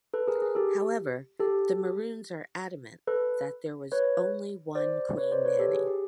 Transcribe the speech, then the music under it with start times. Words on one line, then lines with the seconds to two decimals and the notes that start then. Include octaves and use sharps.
However, the Maroons are adamant that there was only one Queen Nanny.
0.14 A4 B4
0.28 G#4 A#4
0.42 G#4
0.55 G4 A4
1.40 G4 A4
3.07 A4 B4
3.92 B4 C#5
4.75 C5 D5
5.17 B4 C#5
5.31 C5 D5
5.45 B4 C#5
5.59 G4 A4
5.74 G#4
5.87 G4